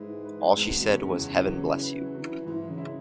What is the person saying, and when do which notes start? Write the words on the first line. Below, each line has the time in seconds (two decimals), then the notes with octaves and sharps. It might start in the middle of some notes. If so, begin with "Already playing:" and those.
All she said was 'Heaven bless you!
Already playing: G#2 G#3 E4 B4
0.10 E3
0.25 B4
0.41 G#3
0.57 E2 G#2
0.68 B2
0.73 E3
0.81 B2
0.88 C#3 C#4
1.04 E2 C#3
1.20 E2
1.35 E3
1.51 F#3
1.67 E4
1.83 B4
1.99 C#3 F#3
2.15 C#3 F#3
2.23 E3
2.30 E4
2.47 G#2 E3
2.63 G#3
2.70 C#3
2.78 E4